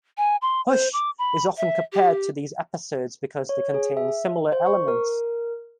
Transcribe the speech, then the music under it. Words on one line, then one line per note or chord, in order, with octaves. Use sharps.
"Hush" is often compared to these episodes because they contain similar elements.
G#5
C6
C5
D6
B5
E5
G4
C#5
G#4
E5
C5
C#6
A#4